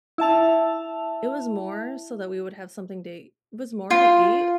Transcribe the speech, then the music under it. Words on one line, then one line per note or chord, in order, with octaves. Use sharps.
It was more so that we would have something day it was more to eat,
E4 E5 A5 F7
F4